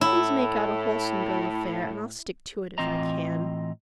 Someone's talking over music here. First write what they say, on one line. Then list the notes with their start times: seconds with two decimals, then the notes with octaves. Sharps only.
Please make out a wholesome bill of fare, and I'll stick to it, if I can.
0.01 A2 E4
2.78 A2 E3 C4 F4 D#5 A#5